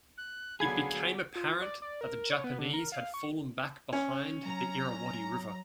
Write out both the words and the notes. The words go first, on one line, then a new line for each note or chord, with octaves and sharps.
It became apparent that the Japanese had fallen back behind the Irrawaddy River.
F#6
D3 F#3 B3 G#4 F5 B5 G#6
F4
D5
D5
A#4
C#5
B3
D3
A#4
F5
C#6
C#4
F#3 A#5